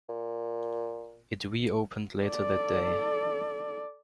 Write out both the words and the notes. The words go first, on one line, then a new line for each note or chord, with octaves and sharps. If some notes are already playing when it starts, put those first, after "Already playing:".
It reopened later that day.
A#2
A4 D5